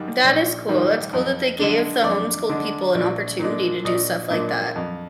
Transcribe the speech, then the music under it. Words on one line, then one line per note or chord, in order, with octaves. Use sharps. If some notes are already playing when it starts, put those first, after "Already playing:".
That is cool. That's cool that they gave the homeschooled people an opportunity to do stuff like that.
Already playing: G#2 D#3 G3
A#1
G#2 D#3 G3
F2
D3 G#3 D4
F2 D5
D3 G#3 D4
A#1
A#2 G#3 D4
A#1 D#5
A#2 G#3 D4
F2